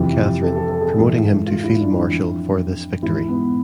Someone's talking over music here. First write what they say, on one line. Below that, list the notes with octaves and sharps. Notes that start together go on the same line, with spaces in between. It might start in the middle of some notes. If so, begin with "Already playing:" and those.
Catherine, promoting him to Field Marshal for this victory.
Already playing: F2 C3 E3
A4
A4
A4
G#4
G#2 E3
F4
E4
D4
F2 E3
G#2 E3 E4
B3